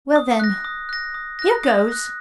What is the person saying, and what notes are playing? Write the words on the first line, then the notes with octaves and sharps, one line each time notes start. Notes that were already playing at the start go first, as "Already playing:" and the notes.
"Well, then--here goes!"
D#6
F#6 A#6
D#6
F#6 A#6
D#6
F#6 A#6
D#6
F#6 A#6